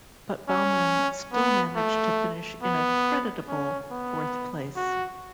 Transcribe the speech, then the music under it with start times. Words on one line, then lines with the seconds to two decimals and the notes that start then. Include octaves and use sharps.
But Baumann still managed to finish in a creditable fourth place.
0.49 C#4
1.33 B3
1.76 A3
2.63 B3
3.48 C#4
3.91 B3
4.76 F#4